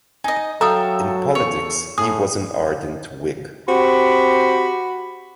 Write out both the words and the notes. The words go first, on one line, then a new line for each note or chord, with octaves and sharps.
In politics he was an ardent Whig.
D#4 D#5 G#5
F#3 A4 E5 F5 G5 A#5 D#6
E2 C#5
A2 G#4 D#6
C4 F#4 G4 B5